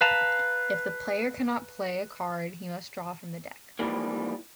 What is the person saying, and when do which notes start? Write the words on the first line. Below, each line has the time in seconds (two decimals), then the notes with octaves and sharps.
If the player cannot play a card, he must draw from the deck.
0.01 B4 F5 A5 A#5
3.79 G#2 C#3 E3 F3 G3 A#3